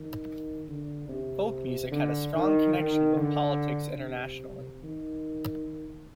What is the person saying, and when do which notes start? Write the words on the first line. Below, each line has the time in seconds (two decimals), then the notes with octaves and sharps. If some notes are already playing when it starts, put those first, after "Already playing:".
Folk music had a strong connection with politics internationally.
Already playing: D#3
0.68 D3
1.09 C3
1.92 D3
2.34 D#3
2.75 D#3
3.17 D3
4.00 C3
4.83 D#3